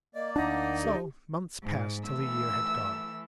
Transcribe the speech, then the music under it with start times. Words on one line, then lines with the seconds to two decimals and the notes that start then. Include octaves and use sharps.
So months passed till a year had gone.
0.15 A#3 D5 D#5
0.36 D2 D4 D#4 F#5
0.83 G4
1.63 G#2
2.09 E3 A3 E6